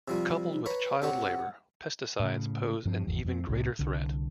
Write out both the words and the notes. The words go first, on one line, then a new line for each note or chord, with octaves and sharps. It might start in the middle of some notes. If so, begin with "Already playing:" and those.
Coupled with child labor, pesticides pose an even greater threat.
C3 F3 G3
D#4
B4 C#5 A#5 B5
C3 G4 C#5 F#5
A2 C#3
G2 F3 C4
G#1 E2
F2 C#3 C4
C2 A2 C3
C2 D3